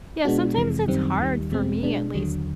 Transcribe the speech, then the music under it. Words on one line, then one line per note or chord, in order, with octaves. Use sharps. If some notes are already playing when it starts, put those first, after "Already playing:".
Yeah, sometimes it's hard, for me, at least,
B2 G#3 B3 D4 F#4
F2 C3 E3 G#3
F#2 D#3 G3 C4
D#2 D#3 G3
E2 B2 G#3 C4
B2 G#3 B3 D4
D#2 D3 F#3